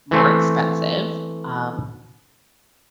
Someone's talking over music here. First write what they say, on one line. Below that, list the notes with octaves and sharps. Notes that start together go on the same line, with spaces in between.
more expensive, um
E3 A3 C4